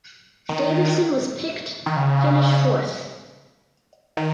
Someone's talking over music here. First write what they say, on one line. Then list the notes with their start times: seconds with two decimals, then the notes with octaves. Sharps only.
Davidson was picked finish fourth.
0.49 D#3
1.86 D#3
1.96 C#3
4.17 D#3